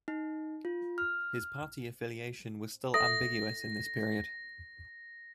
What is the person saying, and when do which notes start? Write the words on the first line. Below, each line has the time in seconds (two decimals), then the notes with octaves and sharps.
His party affiliation was still ambiguous in this period.
0.08 D#4
0.65 F4
0.98 F6
2.94 A4 E5 A#6